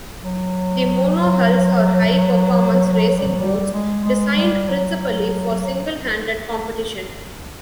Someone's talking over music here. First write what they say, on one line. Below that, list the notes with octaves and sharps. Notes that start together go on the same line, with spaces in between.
The monohulls are high-performance racing boats, designed principally for single-handed competition.
F#3
F#3
G3
F#3
G3
G#3
G#3
G3
F#3